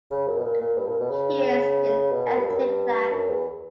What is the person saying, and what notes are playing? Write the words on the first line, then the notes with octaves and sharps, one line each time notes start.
He is an Ethnic Lak.
C#3
F#2
B2
A#2
A#2
G2
A#2
B2
C#3
B2
A#2
G2
F#2
G2
F#2
E2